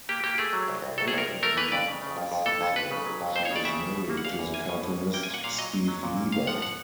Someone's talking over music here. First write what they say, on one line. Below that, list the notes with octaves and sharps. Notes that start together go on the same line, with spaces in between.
Openly bisexual, she is married to the cartoonist Steve Lieber.
A#3 G4
A#3 G4
A3 G#4
F#3
C2
C2
F#3 A4
G#4
C2 A#4
C2
A3 A#4
E3 B4
F2 D5
C#3
C#3
F2
F2
E3 A4
F2
F2 B4
C#3
F#3
F2
F2 C5
C#5
C#3
D5
C#3 E5
A#3
B2
A#3
F#5
E2 F5
E2
A#3 G#5
B2
B2
E2
A#3 G5
G#5
A#2
F#5
A#2 F5
F#3 D#5
F#3
F#3
A#2
A#3
G2 F5
F3 F#5
F#5